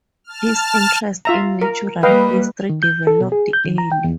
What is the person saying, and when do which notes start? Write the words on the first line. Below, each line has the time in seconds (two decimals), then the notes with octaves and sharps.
His interest in natural history developed early.
0.24 A5 F6
1.25 F4 E5 A#5
1.61 A#4
2.03 G3 A#3 B4 D#5 F5 G5
2.69 D#3
2.83 G6
3.07 A4
3.20 B2
3.32 G#4
3.53 G6
3.65 D#3
3.78 A#5
3.92 G5
4.04 E2